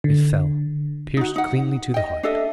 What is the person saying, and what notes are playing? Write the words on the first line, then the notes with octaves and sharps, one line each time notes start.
It fell, pierced cleanly to the heart.
D3
D#4 F#4
D#4 F#5
D#5 G5
D4 A4 D#5 E5